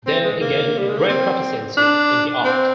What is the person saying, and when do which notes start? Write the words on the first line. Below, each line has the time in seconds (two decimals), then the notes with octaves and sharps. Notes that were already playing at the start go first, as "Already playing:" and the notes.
There he gained great proficiency in the art.
0.07 C4
0.24 G#3
0.41 A#3
0.78 G3
0.89 G#3
0.98 A#3
1.08 C4
1.77 D4
2.44 C4